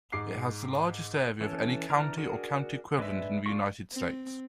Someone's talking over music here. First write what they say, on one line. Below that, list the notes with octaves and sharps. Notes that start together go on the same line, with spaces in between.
It has the largest area of any county or county-equivalent in the United States.
G#2 D6 C7
E3 C#4 A4
E3 D4 A#5 F6
D4 F#4 G#4 A#4
G#3 D4 B4 E5
D4 F4 G4 C#6
C4